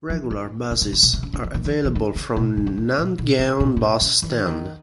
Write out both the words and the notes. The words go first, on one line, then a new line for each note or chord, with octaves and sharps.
Regular buses are available from Nandgaon Bus Stand.
F3
E3
C#3
C3
C3
B2
C3
C#3
C#3
E3
D#3
E3
D#3
D3
C#3
B2
C#3
D3
E3
A#2
B2
C#3
B2
C#3
C3
C#3
E3
D#3
D3
D#3